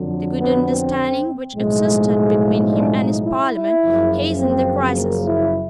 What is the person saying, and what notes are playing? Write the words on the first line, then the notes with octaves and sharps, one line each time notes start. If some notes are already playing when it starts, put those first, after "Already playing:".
The good understanding which existed between him and his Parliament hastened the crisis.
Already playing: F2 D3 F#3
B3
C4
B1 A2 F3 G#3
D4
D#4
E4
E4
F#1 F#2 C#3 F3
C4
A#3
E4